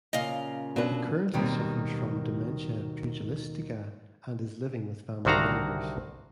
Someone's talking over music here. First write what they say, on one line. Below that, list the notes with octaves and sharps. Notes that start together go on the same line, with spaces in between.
He currently suffers from dementia pugilistica, and is living with family members.
A#2 C#3 D#5 F5
B2 F#3 D4 B4
D#2 B2 D#3 F#3 G3 C4
C2 D3 D#3 F#4 F5 A#5